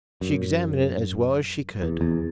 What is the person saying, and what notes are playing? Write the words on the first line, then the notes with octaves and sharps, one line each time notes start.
She examined it as well as she could.
F#2
E2
E2